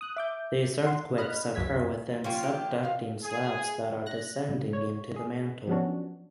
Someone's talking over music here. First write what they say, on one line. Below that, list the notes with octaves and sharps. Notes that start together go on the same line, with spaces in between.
These earthquakes occur within subducting slabs that are descending into the mantle.
D#6 F#6
E5 D6 G6
F#5 C6
D#5 B5 F6 F#6
C#2 F#2 F#3 G#6 B6
F3 A#3 C#4 F4 G4
D#3 G4
F3 F5
G#4
F#6 A#6
A#2 C#3 G3
C#5
G#4
F3 F#3 B3 C#4 D4 F#4